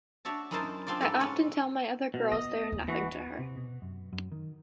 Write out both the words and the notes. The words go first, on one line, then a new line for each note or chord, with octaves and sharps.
I often tell my other girls they are nothing to her.
D4 F#4 C#5 E5 A5
F#2 D#4 E4 A#4 C5 A5
C4 D4 F4 C5 D5
G#2 G3 A4
B3 C#4 F#5
B2
B3 D#5
D#2
E3 F#4
C3
B2
F#2
F#2
D#3